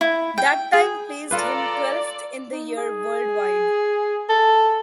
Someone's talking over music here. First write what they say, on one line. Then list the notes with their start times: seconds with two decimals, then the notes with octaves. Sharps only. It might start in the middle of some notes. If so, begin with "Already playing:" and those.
That time placed him twelfth in the year worldwide.
0.01 E4
0.38 G5
0.73 G#4
1.31 F4 A4 B4 D5 A#5
2.52 D#4
2.77 G#4
4.29 A4